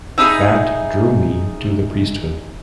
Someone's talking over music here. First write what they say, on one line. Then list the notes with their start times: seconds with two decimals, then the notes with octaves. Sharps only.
That drew me to the priest-hood.
0.18 D#4 G#4 E5 B5 D#6